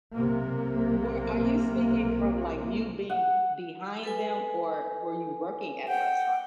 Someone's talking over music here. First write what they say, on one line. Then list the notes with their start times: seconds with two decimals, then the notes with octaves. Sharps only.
where are you speaking from, like, you being behind them, or were you working at a restaurant?
0.15 B1 C3 A#3
3.10 F#5
4.03 A4 B4 G#5
5.88 F#5 G5